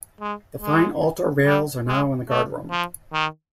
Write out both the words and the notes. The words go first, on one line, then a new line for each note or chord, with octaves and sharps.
The fine altar rails are now in the Guard Room.
G#3
G#3
G3
G#3
A3
F3
D#3